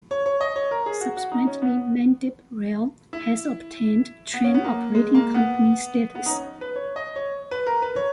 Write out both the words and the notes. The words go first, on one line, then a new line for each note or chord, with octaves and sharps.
Subsequently Mendip Rail has obtained train operating company status.
C#5
C#5
D#5
C#5
A#4
G#4
F#4
F#4
D#4
C#4
B3
E4
B3
C#4
B3
A#3
G#3
A#3
B3
B3
D#4
C#4
B4
C#5
D#5
C#5
B4
A#4
B4
C#5